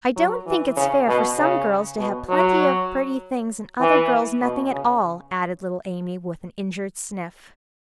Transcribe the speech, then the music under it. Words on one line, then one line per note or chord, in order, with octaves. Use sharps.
"I don't think it's fair for some girls to have plenty of pretty things, and other girls nothing at all," added little Amy, with an injured sniff.
F#3
E3
C#3
B2
C#3
B2
F#3
E3
B2
C#3